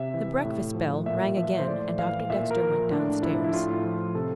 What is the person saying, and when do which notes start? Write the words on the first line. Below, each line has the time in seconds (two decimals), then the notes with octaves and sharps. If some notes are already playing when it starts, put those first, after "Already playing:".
The breakfast bell rang again, and Doctor Dexter went downstairs.
Already playing: C3 E5
0.14 E3
0.44 A2
0.75 F3
1.06 A#2 E5
1.37 F3 E5
1.59 C5
1.67 A2 D5
1.99 E3 F5
2.30 A#2 E5
2.51 A#4
2.60 F3
2.91 A2 D4
3.23 F3 E4
3.44 E4
3.53 A2 F4
3.84 F3 F4
4.15 C3 A4